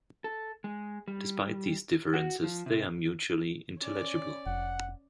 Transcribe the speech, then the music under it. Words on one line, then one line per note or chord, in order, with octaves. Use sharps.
Despite these differences, they are mutually intelligible.
A4
G#3
G3
F#4
F3
C3
C#4 D5
F1 F#5